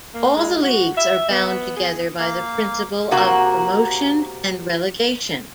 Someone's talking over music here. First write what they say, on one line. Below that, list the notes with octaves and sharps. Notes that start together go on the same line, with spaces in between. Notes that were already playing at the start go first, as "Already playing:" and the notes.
All the leagues are bound together by the principle of promotion and relegation.
A#3
G#3
F#4
E5
B3
G#4
A#3 F5
C3 A#3 F#4